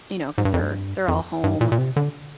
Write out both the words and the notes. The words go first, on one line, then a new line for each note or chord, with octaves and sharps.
you know, 'cause they're they're all home,
G#2
G2
F2
G2
F2
G2
A#2
A#2
C3
D3